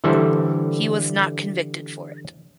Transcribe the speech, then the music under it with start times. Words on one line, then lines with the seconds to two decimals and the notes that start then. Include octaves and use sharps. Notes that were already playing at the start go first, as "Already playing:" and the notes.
He was not convicted for it.
0.04 D3 E3 G3 E4 A4 C5